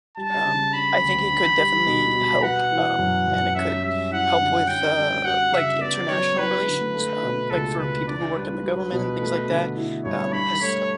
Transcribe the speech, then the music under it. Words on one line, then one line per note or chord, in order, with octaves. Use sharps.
um, I think it could definitely help, um, and it could help with, uh, like, international relations, um, like, for people who work in the government and things like that, um, 'cause
G3 A5
C#3
D4 B5
D2
D4
G3
B2
B2
B3 F#5
E3
F#2
F#2
C#4 E5
G3 E5
E4 F#5
D3
C#4 G5
G3
F#4 F#5
C#3 E5
B3 D5
F#3 C#5
E4 B4
D3
A3
B2
C#2 A4
C#2 B4
D4 D5
G3 B4
F#4
B2
A3
D3
E4
G2 C#5
D4 B5
A3 C#5